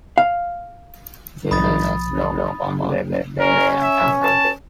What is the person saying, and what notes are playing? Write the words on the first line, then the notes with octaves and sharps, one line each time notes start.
Jeunesse block on Wednesdays and Sundays.
F5
B1 F3 B5 D#6 A6
C#4 A#4
E5
A5